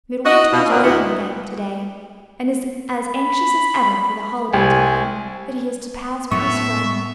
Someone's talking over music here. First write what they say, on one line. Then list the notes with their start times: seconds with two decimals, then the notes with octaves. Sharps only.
Midwinter is working again to-day, and is as anxious as ever for the holiday-time that he is to pass with his friend.
0.24 F#4 D#5
0.53 B2 F4
0.70 D2 A#2 C4 D4 A#4 F#5
0.83 D2 B3 E4
3.06 B5
4.53 C2 G#5
6.31 A2 B3 E5 C#6